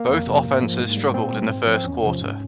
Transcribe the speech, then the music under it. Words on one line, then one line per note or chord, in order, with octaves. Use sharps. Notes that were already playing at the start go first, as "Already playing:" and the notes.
Both offenses struggled in the first quarter.
Already playing: A#3
F2
C3 F3
G#2
F3
G#2
G3
A#2 C4
G3
G#2
F3
C4
E2 C#4
C3 F3
G#2